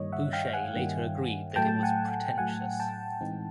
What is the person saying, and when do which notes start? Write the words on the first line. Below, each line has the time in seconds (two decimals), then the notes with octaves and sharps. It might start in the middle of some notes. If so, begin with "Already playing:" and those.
Boucher later agreed that it was "pretentious".
Already playing: G2 D#3 G3 A#3 C#5 D#5
0.12 E5 F#5
0.33 F5 G5
0.53 F#5 G#5
0.74 G2 D#3 G3 A#3
1.56 A2 F#3 A3 G5 A5
1.83 F#5 G#5
2.38 A2 F#3 A3 F#5 G#5
2.80 G5 A5
3.21 A2 E3 G#3 C4 D#4